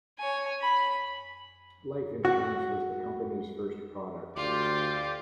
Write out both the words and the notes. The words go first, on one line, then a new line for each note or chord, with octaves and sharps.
Life insurance was the company's first product.
C#5 G#5
B5
F#4
D2 F4 G4 D5 D6